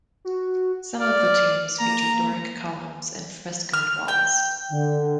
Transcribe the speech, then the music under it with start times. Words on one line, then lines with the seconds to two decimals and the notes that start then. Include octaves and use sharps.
Some of the tombs feature Doric columns and frescoed walls.
0.25 F#4
1.00 D5 F6
1.80 A#3 A#5
3.73 F6
4.08 G5
4.71 D3